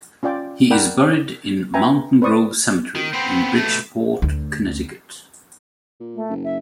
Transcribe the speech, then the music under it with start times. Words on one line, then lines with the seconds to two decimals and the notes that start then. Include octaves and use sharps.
He is buried in Mountain Grove Cemetery, in Bridgeport, Connecticut.
0.23 C#4 F4 D5 G5 D6
0.70 A#4 D5 F#5 G5 B5
1.74 B4 E5 G5 G#5 A#5
2.22 B4 C5 D5 C#6 D#6
2.95 D#3
3.13 B3 C4
3.55 B2 A3
4.22 D2
6.00 A#2
6.15 A3
6.30 F#1
6.44 E5